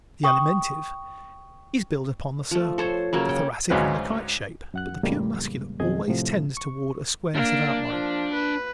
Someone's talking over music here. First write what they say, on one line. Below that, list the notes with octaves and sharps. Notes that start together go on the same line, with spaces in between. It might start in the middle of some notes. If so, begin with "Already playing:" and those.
The Alimentive is built upon the circle, the Thoracic on the kite-shape but the pure Muscular always tends toward a squareness of outline.
G5 C#6 D#6
F3 A3
A4 C5 C#5
C#3 F#3 A#3
G5
D2 G#2 C#3 F#3 C4 B4
F#2 F#5 F#6
F2 A2 C#3 G3 G#3 A#3
F2 B2 D#3 G#4 D#5 G#6
A2 C3 F3
C#6
A#3 D4
F3
B4